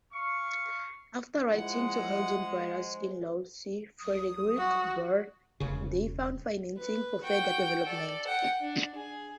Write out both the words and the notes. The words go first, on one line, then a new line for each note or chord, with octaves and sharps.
After writing to Hilgen's brother-in-law, C. Frederick Boerner, they found financing for further development.
F5 C#6
F3 G#3 E4 F#5
C5
C2 F#3 D#6
F#4
E1 C#3
B4
F#4 G5
A4 D5
F#5 G5
D4
G#4